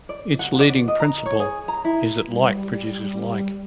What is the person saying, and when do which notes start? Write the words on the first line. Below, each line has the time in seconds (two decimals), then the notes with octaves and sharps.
Its leading principle is that like produces like.
0.09 D5
0.39 F#5
0.60 D5
0.88 D#5
1.00 A#5
1.26 C#5
1.40 G#4
1.68 A#5
1.85 E4
2.26 G3